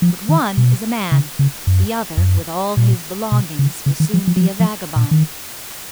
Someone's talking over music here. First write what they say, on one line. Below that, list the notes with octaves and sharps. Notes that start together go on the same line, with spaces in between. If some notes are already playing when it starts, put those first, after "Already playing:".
But one is a man--the other, with all his belongings, will soon be a vagabond.
F3
D#3
B2
C#3
C#3
F#2
F2
F#2
A#2
B2
C#3
C#3
D#3
F3
F3
F#3
F3
F3
A#2
D#3